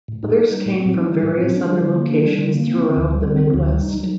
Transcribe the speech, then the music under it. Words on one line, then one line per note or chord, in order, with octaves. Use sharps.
Others came from various other locations throughout the Midwest.
A2
D#4
D#4
G3
A2
C4
D#4
G3
A2
C4
D4
G3
D3
A#3
D4
G3
D3
A#3
C4
D3
D2
G3
C4
D3
D2
G3
D#4
F#3